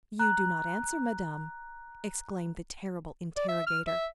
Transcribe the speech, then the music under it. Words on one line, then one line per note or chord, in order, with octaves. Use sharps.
"You do not answer, madame!" exclaimed the terrible interrogator.
A#5 F#6
D5
E5
F6
E5